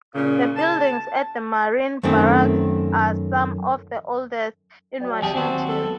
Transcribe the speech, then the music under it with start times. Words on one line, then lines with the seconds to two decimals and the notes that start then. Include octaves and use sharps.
The buildings at the Marine Barracks are some of the oldest in Washington.
0.15 A#2 C#3
0.56 A5
2.03 F#2 D#3 A3 C4
5.00 F#3 D5 G5
5.22 E2 G4 G#4 D5 E5 A5
5.34 D#2 F#3 C4 F#4
5.68 A4
5.81 B3